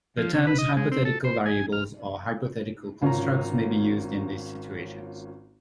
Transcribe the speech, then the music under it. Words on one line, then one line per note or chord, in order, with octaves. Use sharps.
The terms hypothetical variables or hypothetical constructs may be used in these situations.
F3
C#3
B4
D#5
G#3
C4
A4
C5
G#5
F6
G#1 C#4 F4 A#5